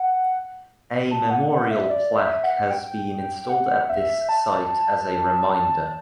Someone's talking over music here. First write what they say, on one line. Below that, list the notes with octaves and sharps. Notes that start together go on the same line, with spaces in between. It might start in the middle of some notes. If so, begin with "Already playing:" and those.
A memorial plaque has been installed at this site as a reminder.
Already playing: F#5
A5
F#5
F#5
E5
D5
E5
F#5
G5
F#5
E5
A5